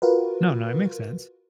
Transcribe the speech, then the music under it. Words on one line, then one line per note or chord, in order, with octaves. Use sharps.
No, no. It makes sense.
F4 F#4 A#4 B4